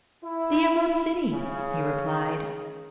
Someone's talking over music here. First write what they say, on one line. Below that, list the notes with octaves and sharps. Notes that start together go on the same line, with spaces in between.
"The Emerald City," he replied.
E4
C#3